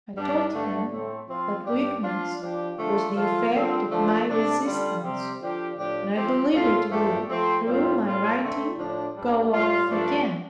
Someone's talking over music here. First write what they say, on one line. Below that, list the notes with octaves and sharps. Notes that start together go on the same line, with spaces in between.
I told him, that "weakness was the effect of my resistance," and I believed it would, through my writing, go off again.
G2 G3 D4
G2 D3 A3
A2 A3 C4
F3 C4 F4
G2 G3 D4 G4
F3 D4 F4
F3 D4 G4
D3 F3 A3 D4 F4
F3 A3 F4
D3 G3 C4 F4
F3 A3 D4
C3 A3 D4
D3 G3 F4
C3 G3 C4 G4
D3 F3 D4 G4
A2 F3 D4 G4
F3 C4 G4
A2 A3 F4
G2 F3 A3 D4 G4
F3 A3 C4
A2 G3 C4 F4
A2 G3 F4
D3 A3 C4
A2 F3 D4
G2 G3 D4
A2 G3 F4
G2 F3 A3 D4